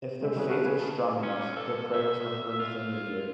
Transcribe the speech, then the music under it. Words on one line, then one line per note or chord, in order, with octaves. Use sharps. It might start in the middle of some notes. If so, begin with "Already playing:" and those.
If their faith was strong enough, their prayers were heard within the year.
C3 G#3 E5
C#3 G3 C#4 E4 G#4 B4
F#4 A4 F5 F#5
A#3 B4 G#5
A5
C#4
A4
E5
F4